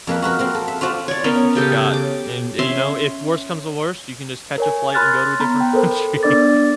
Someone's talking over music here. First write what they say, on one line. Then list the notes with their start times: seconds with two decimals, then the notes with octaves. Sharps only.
Take what you got, and, uh you know, if worse comes to worst, you can just catch a flight and go to a different country.
0.07 F2 A#3 B4
0.22 F#4 A#4 B4 E5
0.39 A#3 C4 A#4
0.55 A4
0.68 E5
0.81 F4 F#4 C5 D5 E5 A5
1.08 C#5 D5
1.24 B3 C#4 A#4
1.55 C#3 G4 A4
1.93 D6
2.59 C#4 E5 C6
4.58 A#4 C#5 G#5
4.94 B5 C6 F6 F#6 A6
5.40 B3 A#5 B5
5.61 G5
5.73 A4 A#4 C5
6.23 B3 D4 D5 D6 A6